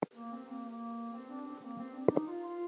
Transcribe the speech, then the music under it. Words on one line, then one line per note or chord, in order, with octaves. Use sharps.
The Irish feudal barony also existed.
A#3
C4
A#3
A#3
C4
D4
C4
A#3
C4
D4
D#4
F4
F4